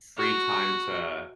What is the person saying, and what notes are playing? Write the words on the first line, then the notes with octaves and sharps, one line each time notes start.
free time to
F#4